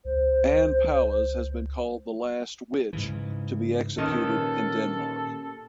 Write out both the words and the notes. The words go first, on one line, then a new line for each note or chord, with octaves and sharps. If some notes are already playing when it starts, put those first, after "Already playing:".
Anne Palles has been called the last "witch" to be executed in Denmark.
C#2 C5
G#2 C#3 E3
A#2 D#3 C#4 G4 A4 B4